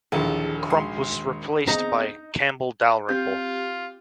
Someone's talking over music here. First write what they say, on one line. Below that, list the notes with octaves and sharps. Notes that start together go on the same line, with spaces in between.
Crump was replaced by Campbell Dalrymple.
A#1 D#2 A#2 E3 E4 G#4 A4
D#3 G#3 F#4 C6
B3 C4 D#4 G#4 A#5
C4 F4 G4 G6